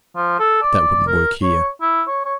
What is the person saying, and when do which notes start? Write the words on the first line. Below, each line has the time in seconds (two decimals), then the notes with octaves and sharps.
That wouldn't work here.
0.16 F3
0.39 A4
0.62 D5
1.07 A#4
1.43 C#5
1.81 E4
2.07 C#5
2.25 C#5